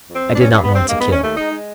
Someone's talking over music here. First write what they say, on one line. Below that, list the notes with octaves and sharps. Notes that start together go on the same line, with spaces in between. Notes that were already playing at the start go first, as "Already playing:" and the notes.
I did not want to kill.
F2
C4
F2
D4
G2 C#4
C#4
G2
B3
G2 C4
G#3 A#3
B3
D#2
C#4
D#2 A3
G#3 D#4
G#3